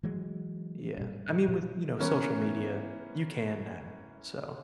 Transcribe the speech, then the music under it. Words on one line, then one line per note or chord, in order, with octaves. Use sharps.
Yeah. I mean, with, you know, social media, you can now, so
E3 F#3 G#3
G2 A#2
A#2
E3 B3 C#4 E4 A#4